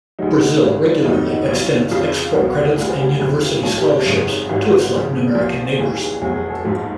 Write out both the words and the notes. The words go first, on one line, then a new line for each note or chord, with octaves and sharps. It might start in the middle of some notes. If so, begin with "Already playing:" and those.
Brazil regularly extends export credits and university scholarships to its Latin American neighbors.
D2 C#3 F#3 D#4
G#1 G2 E3 G3 D4
F2 C3 D#3 F#3 D#4
B1 B2 G3 E4
F2 C#3 F3 F4
C#2 B2 F#3 F#4
E4
D2 D3 G3 F4
G#4
G4
F2 C#3 F#3 E4
F4
B1 A2 F3 A4
G4
G#1 F#2 C#3
G#1 G#2 E3 G3 F#4
D2 C#3 F3
C2 A#2 F3
D#2 C#3 E3 G3 G#4
G#4
F1 E2 B2 F#3 G#4
G#4
A4
A#1 G#2 F3